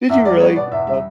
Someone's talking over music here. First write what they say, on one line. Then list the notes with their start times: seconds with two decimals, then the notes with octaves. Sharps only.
Did you really? Oh,
0.09 E2 E5
0.25 G3 D5
0.40 B3 C#5
0.56 B2 D5
0.71 E2 E5
0.87 G3 E5